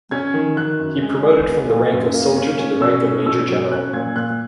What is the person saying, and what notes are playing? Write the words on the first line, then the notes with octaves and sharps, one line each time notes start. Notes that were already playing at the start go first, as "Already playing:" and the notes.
He promoted from the rank of soldier to the rank of major general.
C#4 G#6
D#3
D#3 F#6
F#2
G#3
G#3
B3
A#2
F#2
A#3
C#4
C#4
B2 E6
C#4
B2 E6
F#3
C#4 F#6
A#2 G#6
A#2 F#6